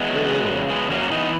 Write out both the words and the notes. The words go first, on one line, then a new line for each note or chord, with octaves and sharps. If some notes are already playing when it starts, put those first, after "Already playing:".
"Very little," I replied.
Already playing: E2 G#3 B3
F#3
G#3
C#3
F#3 G#3 B3
F#3 A#3 C#4
E3 B3 D#4